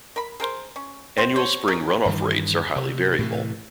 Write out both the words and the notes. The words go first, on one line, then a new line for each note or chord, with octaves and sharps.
Annual spring run-off rates are highly variable.
A#4 B5
G#4 A#4 C5
C#4
C4 C5
C5 C#5
C#4 G#4 A#4
G2 D#3 E3
C3
A2 C3 E3